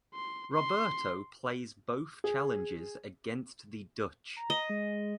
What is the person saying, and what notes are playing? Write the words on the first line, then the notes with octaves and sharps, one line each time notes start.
Roberto plays both challenges against the Dutch.
C6
C6
G#4
A#5
D#5
G#3